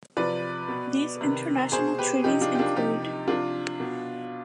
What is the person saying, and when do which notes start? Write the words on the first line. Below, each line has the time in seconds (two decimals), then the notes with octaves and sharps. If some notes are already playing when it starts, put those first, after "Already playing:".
These international treaties include.
0.17 C3 F3 B4 D5
0.68 B2
1.21 C3 D#3
1.72 B2 G#4 C5
1.98 G4 B4
2.24 C3 F3 D#4 G4
2.41 D4 F4
2.55 G4
2.59 D4 F4
2.76 C3 F3 D#4 G4
3.02 D#4
3.28 C3 F3 D4 F4
3.80 B2